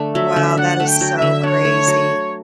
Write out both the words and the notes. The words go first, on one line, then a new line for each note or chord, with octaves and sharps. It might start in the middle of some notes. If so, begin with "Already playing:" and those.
Wow. That is so crazy.
Already playing: D3 A3 D4
F#3 E5
D3
D4 F#5
A3
G5
F#3
E5
D3
D4 C#5
A3
F#3